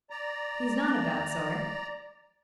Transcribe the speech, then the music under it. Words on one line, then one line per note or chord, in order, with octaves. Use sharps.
He's not a bad sort.
D5 A#5